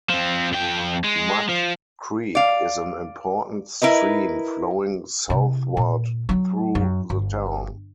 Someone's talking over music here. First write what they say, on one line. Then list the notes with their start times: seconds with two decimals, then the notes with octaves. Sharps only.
Mud Creek is an important stream flowing southward through the town.
0.10 F3 C4
0.52 F2 G5
1.04 G#3
1.49 F3
2.35 D5 F5
3.82 E4 A#4 B4 D#5
5.30 C3 E4
5.77 A#2
6.29 F#3 D#4
6.75 F#2
7.10 G1